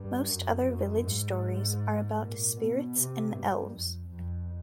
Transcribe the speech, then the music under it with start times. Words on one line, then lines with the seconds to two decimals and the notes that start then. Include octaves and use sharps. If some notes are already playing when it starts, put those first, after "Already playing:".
Most other village stories are about spirits and elves.
Already playing: G2
0.27 F#2
0.66 F#2
1.03 G#2
2.19 A#2
2.56 B2
2.95 C3
3.33 G2
3.71 F2
4.09 F2